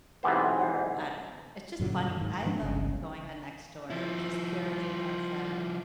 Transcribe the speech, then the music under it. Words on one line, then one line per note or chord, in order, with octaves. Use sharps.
or I don't know, it's just funny. I love going on Nextdoor just purely as a
B1 G#2 C3 E3 B3 C5
F#2 A#2 D3 F#3
G#2 D#3
F3 G#3 D4
G1 C2 C#3
F3 E4